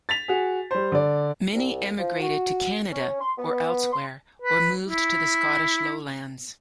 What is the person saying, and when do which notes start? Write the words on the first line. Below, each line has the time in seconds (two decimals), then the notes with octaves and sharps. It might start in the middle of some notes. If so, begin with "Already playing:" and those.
Many emigrated to Canada or elsewhere, or moved to the Scottish Lowlands.
0.09 A6 B6 F7
0.28 F#4 G#4
0.71 G3 C5
0.92 D3 D5
1.53 C2
1.99 F3
2.20 F#4
2.92 C#4
3.20 C6
3.38 B3
3.92 C6
4.42 B4
4.88 E4